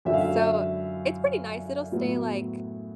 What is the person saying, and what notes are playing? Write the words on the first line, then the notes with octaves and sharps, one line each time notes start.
so, it's pretty nice. It'll stay, like
F#2 D3 F#3 E5
F5
E5
A2 F#3 B3